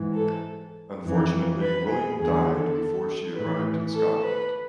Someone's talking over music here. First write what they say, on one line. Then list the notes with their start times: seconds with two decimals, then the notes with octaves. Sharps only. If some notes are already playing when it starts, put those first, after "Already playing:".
Unfortunately, William died before she arrived in Scotland.
Already playing: G#2 E3
0.15 A4
1.01 F2 E3
1.61 B4
1.89 G#4
2.18 E2 D3 G#4
2.48 A4
3.35 A2 E3 B4
3.94 A4
4.23 B4